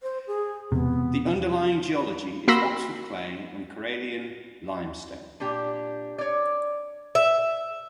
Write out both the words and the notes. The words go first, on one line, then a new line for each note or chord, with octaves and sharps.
The underlying geology is Oxford clay and Corallian limestone.
C5
G#4
E1 C3 B3
A#3 F#4 B5 C6 E6 A#6
A#2 D4 G4
C#5 D5
E5